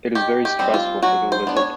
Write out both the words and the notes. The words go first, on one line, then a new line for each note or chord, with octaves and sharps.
It is very stressful for the lizard.
D#3 G4
G4
G3 C4 D#4
F4
F#3 F#4
C5
B3 D4
C#5